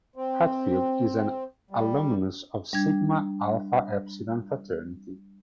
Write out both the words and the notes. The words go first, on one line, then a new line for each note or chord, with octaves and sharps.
Hatfield is an alumnus of Sigma Alpha Epsilon fraternity.
C4
G3
G3 D4 G#6